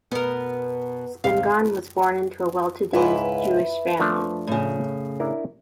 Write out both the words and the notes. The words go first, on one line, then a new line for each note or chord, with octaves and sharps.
Spingarn was born into a well-to-do Jewish family.
B2 B3 A#4
D#2 G#2 C3 F5
C#2 G#2 E4 B4
F3 A3 D4
A2 C#3
D4 E4 A#4